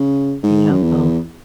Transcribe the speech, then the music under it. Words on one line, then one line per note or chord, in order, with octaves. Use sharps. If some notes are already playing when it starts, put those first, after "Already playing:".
be helpful.
Already playing: C#3
G#2
F#2
E2